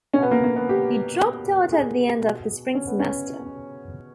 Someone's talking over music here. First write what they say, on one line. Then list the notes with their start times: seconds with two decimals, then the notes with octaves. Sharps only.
He dropped out at the end of the Spring semester.
0.13 C#4
0.18 B2 B3
0.31 A#3
0.44 A#3
0.56 B3
0.69 G4
1.72 G#4
2.23 B2
2.75 C#4
2.87 B3
2.99 C#4